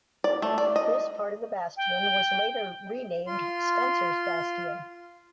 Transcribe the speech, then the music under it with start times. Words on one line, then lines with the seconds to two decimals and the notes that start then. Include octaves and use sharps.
This part of the bastion was later renamed Spencer's Bastion.
0.24 D5
0.42 A3
0.58 D5
0.76 D#5
1.77 G5
3.27 F4 C6